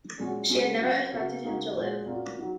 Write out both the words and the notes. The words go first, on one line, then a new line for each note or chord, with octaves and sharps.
She had never expected him to live.
A#2 G#3 C#4 F#4
C#3 G#3 C#4 F#4
F#3 A#3 C#4 F#4
C#3 A#3 F#4
C#3 A#3 D#4 F#4
A#2 G#3 F#4
A#2 A#3 C#4 F#4
F#3 D#4 F#4